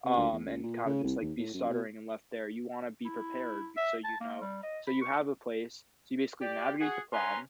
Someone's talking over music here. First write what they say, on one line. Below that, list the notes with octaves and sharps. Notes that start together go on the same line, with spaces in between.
um, and kinda just, like, be stuttering and left there, you wanna be prepared be so, you know so you have a place, so you basically navigate the problem
C3
D2
E2
C#2
A#2
C#3
C2
D#2
A2
F#2
B2
E4
E5
A5
A#3
G3
D#5
B5
C#6
G4 D5
F#4 G#4 F#5
C3 C#4 B4 G#5 A#5 C6